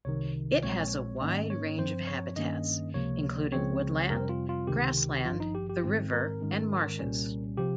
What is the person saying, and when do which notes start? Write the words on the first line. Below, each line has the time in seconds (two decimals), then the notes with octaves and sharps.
It has a wide range of habitats, including woodland, grassland, the river and marshes.
0.05 C2 C3 D#3 C#5
0.63 A#1 A#2 G#3 C4 C#5
1.21 G#2 D#3 A#3 C#4 D#5
1.50 C#5
1.79 G2 F3 C4 C5
2.07 C#5
2.36 G2 D#3 A#3 C#4 D#5
2.94 C#2 C3 F3 A#3 C#5
3.52 C#2 C#3 F3 C4 C#5
4.10 F2 C3 G3 C4 A#4
4.29 F4
4.49 F4
4.67 C#2 C3 D#3 G4
5.26 G#1 G2 F3 F4
5.40 D#4
5.55 G4
5.69 G4
5.83 G#2 D#3 G#3 C4
6.13 A#4
6.41 G#2 D#3 G#3 C#4
6.99 C2 A#2 G3 C#4
7.57 C3 F3 G4